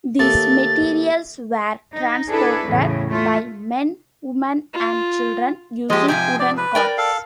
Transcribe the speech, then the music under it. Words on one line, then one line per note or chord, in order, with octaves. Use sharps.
These materials were transported by men, women, and children using wooden carts.
D#2 A3 A6
D#4
D4 E4 G#4 A4 B4
E2 A2 C#3
A3 F4
F4
F3 G#3 G4 D#5
G#2 C3 F3 G5 G#5
D5
B4
A#4 D5 G5
A4 F5